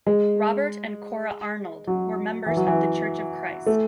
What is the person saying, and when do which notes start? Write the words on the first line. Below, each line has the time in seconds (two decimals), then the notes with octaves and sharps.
Robert and Cora Arnold were members of the Church of Christ.
0.07 G#3
1.87 F#3
2.46 E3
2.57 F#3
2.67 E3
3.66 A3